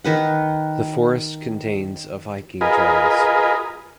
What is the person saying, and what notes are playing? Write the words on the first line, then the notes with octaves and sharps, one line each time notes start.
The forest contains of hiking trails.
D#3 B4 F#5
F4 G#4 A#4 B4 D#5